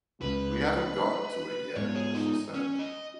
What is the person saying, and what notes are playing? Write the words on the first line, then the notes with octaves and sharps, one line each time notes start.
"We haven't got to it yet," she said.
C#2 C#3 G#3 B4
G#2 G#3 B3 C#5
G#4
D#4
C#4
D#5